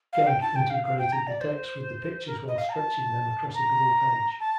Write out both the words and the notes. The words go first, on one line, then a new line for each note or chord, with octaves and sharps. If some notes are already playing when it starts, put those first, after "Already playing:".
Gag integrated the text with the pictures while stretching them across a double page.
F5
G5
A5
G5
F5
F5
G5
A#5
D5
C5
A#4
D#5
F5
A#5
A5
A#5
A5